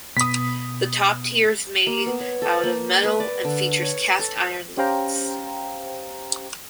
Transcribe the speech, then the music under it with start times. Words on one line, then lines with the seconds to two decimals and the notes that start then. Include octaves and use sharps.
The top tier is made out of metal and features cast iron leaves.
0.17 B2 B3 B5 D#6 B6
1.87 A#3
2.06 B3
2.20 C#5
2.42 A4
2.64 A#3
3.04 B4
3.20 D5
3.45 D3
3.82 C#5
4.19 A4
4.37 G5
4.77 C#4 G4 C5 F5 G5 A#5